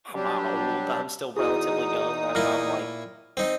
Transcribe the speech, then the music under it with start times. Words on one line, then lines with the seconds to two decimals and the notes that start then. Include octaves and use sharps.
I'm not old, I'm still relatively young, I'm I'm, like,
0.14 F#3 G3 D4 G4
1.37 E2 D#4 E4 F#4 G#4 D#6
2.35 A#2 E4 F6 A#6
3.37 C4 D#4